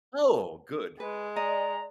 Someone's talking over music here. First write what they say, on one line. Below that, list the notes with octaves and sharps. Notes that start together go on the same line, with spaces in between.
Oh, good.
G#3 B4
D5 D#5 A#5